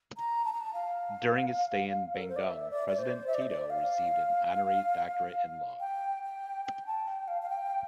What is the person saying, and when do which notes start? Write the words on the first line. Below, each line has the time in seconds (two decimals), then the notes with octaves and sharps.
During his stay in Bandung president Tito received an honorary doctorate in law.
0.17 A#5
0.45 A5
0.53 A#5
0.61 A5
0.73 F5
2.15 A4
2.21 A#4
2.29 C5
2.36 D5
2.43 E5
2.71 D5
2.89 D5
2.99 C5
3.27 E5
3.34 D5
3.42 C5
3.49 D5
3.70 F5
5.80 G5
6.23 G5
6.65 G5
6.87 A5
7.07 G5
7.28 F5
7.42 F5
7.50 G5